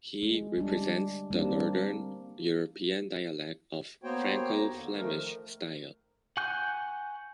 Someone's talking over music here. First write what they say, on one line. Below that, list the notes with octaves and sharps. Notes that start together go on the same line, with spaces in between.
He represents the northern European dialect of the Franco-Flemish style.
G#3
G3 D4
G3 A#3 C4 D4
A#3 B3 F#4 C5 C#5 G5
D#2 A#5
D3
D#3 F3 A3 A#4
F#5 G#5 C#6 F#6 G6